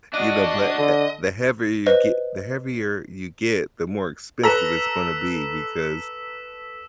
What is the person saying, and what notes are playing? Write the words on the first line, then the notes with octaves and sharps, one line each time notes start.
you know, but, eh the heavier you ge the heavier you get, the more expensive it's gonna be because
D4 F#4 D#5
D3
B4 C5 D#5
A4 B4 A#5 E6 B6 E7